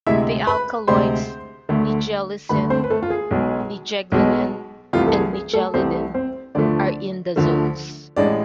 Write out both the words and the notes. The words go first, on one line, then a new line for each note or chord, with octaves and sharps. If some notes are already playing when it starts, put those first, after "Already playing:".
The alkaloids nigellicine, nigeglanine, and nigellidine are indazoles.
D2 C3 G#3 E4 E5
B4 B5
D2 C3 G#3 C5 C6
D2 D3 A3
D2 D3 A3 B4 B5
C4 C5
B4
A3 A4
F4
G#4
B1 B2 G#3
B1 B2 G#3
C2 C3 E3 A3 F4
A4
G#4
G#4
A3 A4
C2 C3 E3 A3 C4 C5
C4 C5
D2 D3 F3 A3 D4 D5
D2 D3 F3 A3
A1 A2 G#3 D4 D5